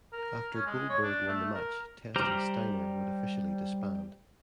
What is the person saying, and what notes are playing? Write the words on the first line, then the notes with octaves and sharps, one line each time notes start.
After Goldberg won the match Test and Steiner would officially disband.
A#4
C#4
G#3
C#5
D4
A3
A#4
G3 G4 C5 A#5 F6